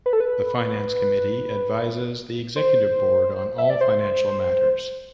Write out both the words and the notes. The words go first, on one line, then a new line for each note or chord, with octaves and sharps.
The Finance Committee advises the Executive Board on all financial matters.
B4
A4
B4
C5
E5
D5
C5